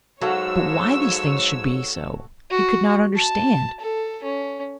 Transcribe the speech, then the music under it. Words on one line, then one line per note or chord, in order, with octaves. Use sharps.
But why these things should be so he could not understand.
G#2 F#3 F#4 A4 C#5 F5 E6
F#4
A5
A4
C#4